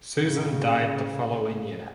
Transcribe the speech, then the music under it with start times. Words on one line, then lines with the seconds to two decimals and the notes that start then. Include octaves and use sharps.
Susan died the following year.
0.18 A2 C#3